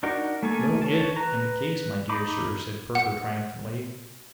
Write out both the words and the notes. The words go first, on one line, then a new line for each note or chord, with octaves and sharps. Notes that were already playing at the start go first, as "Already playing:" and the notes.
'No "if" in the case, my dear Sir,' said Perker triumphantly.
D4 D#4 F#4 A#4
A3 A#3 A4 A#4 G#5
C#5 A5
B4 A#5
D#4 B5 D6
F#5